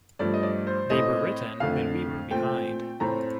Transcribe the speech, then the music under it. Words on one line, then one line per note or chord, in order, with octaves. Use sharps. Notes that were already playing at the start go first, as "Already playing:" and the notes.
They were written when we were behind.
G2 F3 A3 D5
D#5
D5
C5
A2 A3 C4 D#5
F2 D3 A3 F5
A#2 A3 C4 G5
A2 A3 C4 A#5